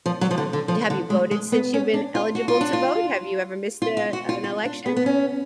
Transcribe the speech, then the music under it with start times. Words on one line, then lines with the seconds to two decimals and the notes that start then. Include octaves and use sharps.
um, have you voted since you've been eligible to vote? Have you ever missed, uh, an election?
0.06 F3
0.21 F#3
0.31 F3
0.38 D3
0.53 D3
0.68 F3
0.90 D3
1.10 G#3
1.31 G#3
1.52 B3
1.74 C#4
1.94 D4
2.15 F4
2.35 F#4
2.48 F4
2.61 D4
2.73 F4
3.82 F4
3.97 F4
4.13 F#4
4.29 F4
4.44 F4
4.65 D4
4.86 B3
4.96 B3
5.06 C#4